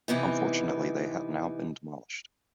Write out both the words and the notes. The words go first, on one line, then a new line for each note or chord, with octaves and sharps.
Unfortunately they have now been demolished.
C3 E3 B3 D#4